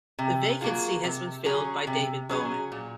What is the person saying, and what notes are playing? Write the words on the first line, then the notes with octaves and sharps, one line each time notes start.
The vacancy has been filled by David Bowman.
C3
F#3 A#3 F4 G#4
C3
F#3 C#4 G#4
C3
F#3 C#4 G#4
A#2